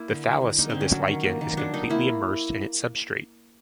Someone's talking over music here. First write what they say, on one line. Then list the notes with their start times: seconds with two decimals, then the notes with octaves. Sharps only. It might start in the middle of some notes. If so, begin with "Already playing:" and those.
The thallus of this lichen is completely immersed in its substrate.
Already playing: A#3 E4
0.09 D3
0.25 F#3
0.41 D3
0.58 A#3 D#4
0.70 D3 C4
0.81 C#4
0.91 F#3
1.08 D#3
1.24 A#3
1.41 D#3
1.57 F#3 D4
1.74 D#3 D#4
1.90 A#3 E4